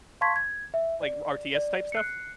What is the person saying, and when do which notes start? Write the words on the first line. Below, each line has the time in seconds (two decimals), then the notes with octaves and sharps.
like, RTS type stuff?
0.21 F5 A5 C6 C#6 G#6 B6
0.36 G#6
0.74 E5
1.02 D5
1.55 D5
1.92 F#6 C7 C#7